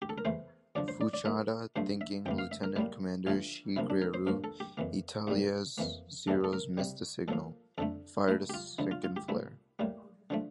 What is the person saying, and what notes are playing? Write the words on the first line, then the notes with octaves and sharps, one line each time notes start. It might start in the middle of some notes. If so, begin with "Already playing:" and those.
Fuchida thinking Lieutenant Commander Shigeru Itaya's Zero's, missed the signal, fired a second flare.
G4
A4
A#4
E2 E3 A3 C5
D2 D3 F3 D5
C5
D5
D5
A#2 A3 A#4
G2 F3 A3 C5
E5
F2 E3 A#3 G5
F5
E5
A#4
A2 G3 A#3 E4
G2 E3 A3 F4
D2 C3 F3 A#3 E4
D4
A#4
C5
G2 F3 A#3 A#4
A4
G4
F2 E3 A#3
C2 A#2 G3 A#3
F2 E3 A#3
E2 E3 G3 A#3 A4
A4
A#4
C2 C3 G3
A#2 F3 A#3 A4
F2 D3 A3 A4
A#2 A3 E4
G4
F4
D2 D3 F3 E4
F4
F4
G4
C2 A#2 A3 E4
A2 G3 A#3
D3 F3 A3